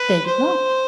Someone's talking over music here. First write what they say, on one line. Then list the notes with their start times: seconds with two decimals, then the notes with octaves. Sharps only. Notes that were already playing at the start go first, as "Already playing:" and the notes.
There you go.
Already playing: B4
0.26 C5